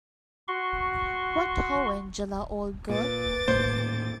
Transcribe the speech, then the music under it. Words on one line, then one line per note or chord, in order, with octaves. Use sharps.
What ho, Angela, old girl.
F#4 C6 C#6
A#2 B4 D6 A6
D#1 A2 A#3 C5